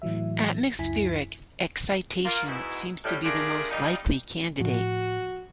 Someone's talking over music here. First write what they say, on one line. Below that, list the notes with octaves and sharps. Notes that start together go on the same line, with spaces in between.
Atmospheric excitation seems to be the most likely candidate.
A2 E3 F#3 E5
C#2 F#2 E4 G#5 B6
A#3 F4
G#2 B2 E4
A2 G3
A3 D4 F4 G4 G#4 A#4
F3 G3 D4 D#4
A2 F3 F#4